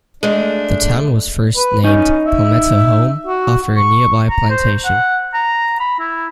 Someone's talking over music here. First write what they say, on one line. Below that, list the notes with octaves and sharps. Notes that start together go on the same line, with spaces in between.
The town was first named Palmetto Home, after a nearby plantation.
G#3 A3 D4
B4
C#4 D#4
E5
F#4
C#6
A#5
C5
F#5
A#5
B5
E4